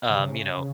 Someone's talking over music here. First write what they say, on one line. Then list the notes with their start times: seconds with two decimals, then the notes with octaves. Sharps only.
Um, you know.
0.10 C#3
0.17 C3
0.25 C#3